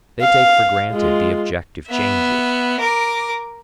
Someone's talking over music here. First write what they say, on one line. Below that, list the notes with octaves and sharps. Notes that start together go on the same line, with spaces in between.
They take for granted the objective changes.
F5
G#3 F4
B3 E5
A#4 D6